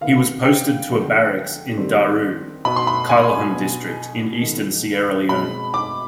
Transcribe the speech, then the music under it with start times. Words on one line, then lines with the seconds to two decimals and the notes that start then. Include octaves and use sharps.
He was posted to a barracks in Daru, Kailahun District in Eastern Sierra Leone.
0.01 D#3 B3 F5
0.45 G5
0.89 D3 F3 G#3 B3
1.78 D#3 G3 C4
2.65 B2 B3 B5
2.76 C6
2.87 B5
3.09 G#5
3.53 B2 B3
4.41 D#3 G#3 B3
5.29 B2 G#3 C4 B5
5.74 D6